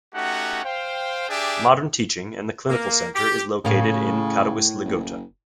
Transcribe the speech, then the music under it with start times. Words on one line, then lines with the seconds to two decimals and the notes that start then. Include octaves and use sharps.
Modern teaching and the clinical Center is located in Katowice -Ligota.
0.14 A3 C#4 D#4 F#4 G4 F#5
0.64 C5 F5 G5
1.29 D4 G4 G#4 D5 E5 G5
2.69 A#3
3.15 G4
3.65 A2 C#3 A#4 F5
4.85 F#1